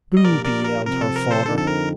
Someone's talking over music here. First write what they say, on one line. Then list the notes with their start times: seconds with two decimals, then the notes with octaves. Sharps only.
"Booby!" yelled her father.
0.17 D#5
0.24 A#2 F3 A#3 D4 G4 A#4 D5
0.45 A#4 D5
0.65 A#4
0.85 C3 F3 C4 A#4
1.01 A4
1.16 A#4
1.31 A4 C5
1.46 F2 D3 F3 C4 D#4 A4
1.58 A4
1.67 A#4